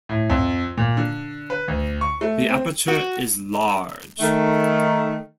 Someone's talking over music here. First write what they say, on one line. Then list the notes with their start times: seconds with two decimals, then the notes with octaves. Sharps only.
The aperture is large.
0.09 A2
0.30 F2
0.77 A#2
0.97 D3
1.50 B4
1.68 D2
2.01 C#6
2.21 A3
2.49 C4
2.88 F#4
4.20 D#3 A3